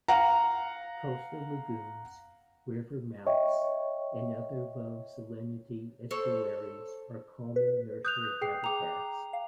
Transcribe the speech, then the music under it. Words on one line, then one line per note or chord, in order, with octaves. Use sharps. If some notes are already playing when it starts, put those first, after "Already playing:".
Coastal lagoons, river mouths, and other low-salinity estuaries are common nursery habitats.
F5 F#5 A#5
C#5 D#5 E5 G5
A4 C5 C#5
B4
D#6 F#6 G6 F7
G#4 G5 C7
G5 A#5 D6 F7
F5